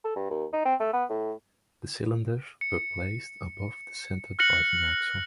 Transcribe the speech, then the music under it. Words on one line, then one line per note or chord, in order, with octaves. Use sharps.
The cylinders were placed above the center driving axle.
A4
G2
D#2
D#4
C4
A3
B3
A2
C#7
F6 F#6 A#6 C#7 F#7